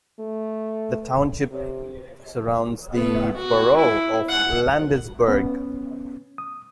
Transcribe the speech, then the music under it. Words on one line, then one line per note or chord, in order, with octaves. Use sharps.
The township surrounds the borough of Landisburg.
A3
C3
B3
F#4
E4
F#5
B3 C#4
D#6